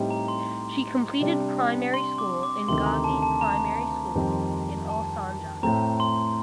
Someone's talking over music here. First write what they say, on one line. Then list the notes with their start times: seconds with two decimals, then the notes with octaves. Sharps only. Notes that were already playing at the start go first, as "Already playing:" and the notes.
She completed primary school in Gazi Primary School in Alsancak.
Already playing: A2 G3 C4 D#4 G4
0.10 A#5
0.28 C6
1.20 C3 G3 D4
1.94 C6
2.18 D6
2.43 D6
2.68 D2 C3 D#3 A3 C6
2.86 A#5
3.04 A5
3.23 A5
3.41 A#5
4.15 F2 D#3 G3 C4
4.89 A5
5.63 A2 A3 C4 A#5
6.00 C6